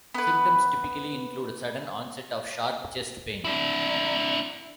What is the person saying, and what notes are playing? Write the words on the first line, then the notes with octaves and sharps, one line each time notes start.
Symptoms typically include sudden onset of sharp chest pain.
B3 B4
D4 E4